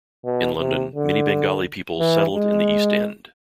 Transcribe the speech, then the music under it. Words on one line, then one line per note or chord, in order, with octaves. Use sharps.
In London, many Bengali people settled in the East End.
B2
C3
D3
E3
G#3